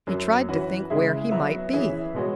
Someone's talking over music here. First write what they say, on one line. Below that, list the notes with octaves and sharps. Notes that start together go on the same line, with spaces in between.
He tried to think where he might be.
F#2 F#3 C#4
E3 C#4 F#4 B4
C#3 G#3 E4 G#4 E5
F#3 B3 F#4 E5
E3 C#4 G#4 B4 E5
B2 G#3 B3 F#4 C#5